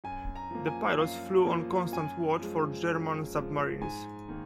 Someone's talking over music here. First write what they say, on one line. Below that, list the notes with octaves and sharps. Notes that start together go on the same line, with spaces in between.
The pilots flew on constant watch for German submarines.
F#2 G#5
A#5
F3 A#3
G#5
F#2 F5
F3 A#3
F#2 G#5
F3 G#3
F#2
F3 G#3
G#2 G#5
D#3 A#3